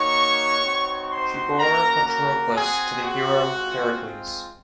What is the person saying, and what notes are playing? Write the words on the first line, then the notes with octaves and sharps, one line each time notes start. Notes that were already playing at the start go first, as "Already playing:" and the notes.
She bore Patroclus to the hero Heracles.
Already playing: A#3 D#4 F#4 C#5 C#6
C4 D#4 F#4
C5 C6
A#3 C#4 F#4 A#4 A#5
A#4 A#5
C4 F#4 G#4 G#5
F#4 F#5
G#3 C4 F4